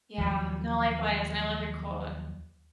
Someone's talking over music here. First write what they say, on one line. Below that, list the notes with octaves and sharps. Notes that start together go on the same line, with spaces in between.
Yeah, no, likewise, and I love your quote.
D#2 F3 F#3